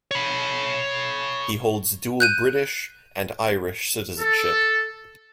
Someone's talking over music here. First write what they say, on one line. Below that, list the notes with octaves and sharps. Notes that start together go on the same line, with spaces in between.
He holds dual British and Irish citizenship.
C#5 B5
F#6 G6 D#7
A4